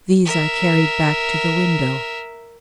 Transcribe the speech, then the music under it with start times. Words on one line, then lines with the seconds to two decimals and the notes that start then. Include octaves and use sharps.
These I carried back to the window.
0.25 A#4 E5